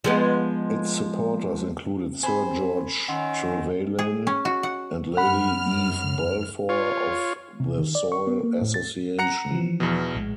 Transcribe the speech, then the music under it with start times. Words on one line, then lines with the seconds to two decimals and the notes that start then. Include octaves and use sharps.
Its supporters included Sir George Trevelyan and Lady Eve Balfour of the Soil Association.
0.04 F3 G#3 B3
2.23 C4 C5 G#5 B5
3.08 D#3 C#4 F#5 C6 E6
3.99 G#4
4.27 C#4
4.45 F#4
4.63 F#5
5.17 F#2 F#5 B5 F6
6.69 F4 C#5
7.60 C3
7.78 D#3
7.95 D5
8.12 C#6
8.27 B3
8.43 A#3
8.62 A2
8.74 A6
9.19 F#5 A#5 C#7
9.51 E3 F3
9.80 E2 B2
10.14 A#1 A2 G#3